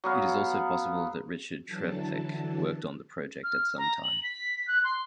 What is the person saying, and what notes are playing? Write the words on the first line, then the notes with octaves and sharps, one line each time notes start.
It is also possible that Richard Trevithick worked on the project at some time.
F#3 B3 F5
D3 E3 F#3 A5
F6
A#5
F#7
B6
F#6
C6